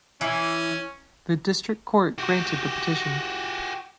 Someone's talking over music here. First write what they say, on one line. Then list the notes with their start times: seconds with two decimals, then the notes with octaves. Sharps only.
The District Court granted the petition.
0.21 E3 C#4
2.18 F#4 G4